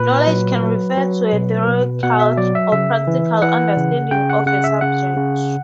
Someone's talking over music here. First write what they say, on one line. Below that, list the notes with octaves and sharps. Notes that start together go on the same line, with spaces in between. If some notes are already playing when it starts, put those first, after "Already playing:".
Knowledge can refer to a theoretical or practical understanding of a subject.
Already playing: A#2 B4
F#3
F#3
F#3
B2
B2
B2 F#5
E5
F#3 D5
E5
C#3 E5
E3
E3 F#5
C#3
C#3 G5
F#5
C#3 F#5
E5
C#3 F#5
C#3